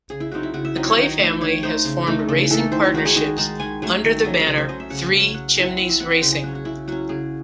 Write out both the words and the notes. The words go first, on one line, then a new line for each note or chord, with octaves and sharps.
The Clay family has formed racing partnerships under the banner, Three Chimneys Racing.
C#3 G#4
E4
F#3 C4 D#4 F#4
E4
C#3 F#4
E5
F#3 C4 D#4 D#5
C#5
D#3 D#5
A3 D#4 E5
D#3 C#5
A3 D#4 C5
C#3
E3 A3 D#4
C#3 A4
E3 A3 D#4 A4
D#3 C5
C#5
G#3 D#4 F#4
G#4
D#3 D#5
G#3 D#4 A5
D#3 G#5
F#3 A3 C#4 G#5
D#3 E5
F#3 A3 C#4 D#5
A4
C#3 C5
C5
F#3 C#4 D#5
E5
C#3 F#5
F#3 C#4
F#3 F#5
C4 E4 G#5
F#5
F#3 E5
E5
C4 E4 F#5
D#5
C#3 C5
G#4
F#3 C#4 F#4
F#4
C#3 E4
F#3 C#4 F#4
C#3 G#4